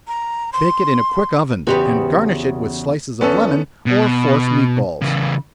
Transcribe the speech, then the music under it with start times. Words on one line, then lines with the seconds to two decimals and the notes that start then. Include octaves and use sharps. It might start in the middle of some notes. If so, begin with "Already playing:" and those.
Bake it in a quick oven, and garnish it with slices of lemon, or force meat balls.
0.08 A#5
0.53 C6
1.67 E2 C#3 F#4 G4 B4 C5
3.21 E2 B3 C#4 A4
3.86 B2
5.02 C#3 E3